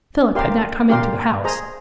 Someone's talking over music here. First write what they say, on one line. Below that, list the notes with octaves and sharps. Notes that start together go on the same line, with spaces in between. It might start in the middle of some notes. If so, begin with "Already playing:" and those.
Philip had not come into the house.
D4 G4 A#4 F5 C6
D4 G4 A#4 F5 C6
G#4 C5 D#5 A#5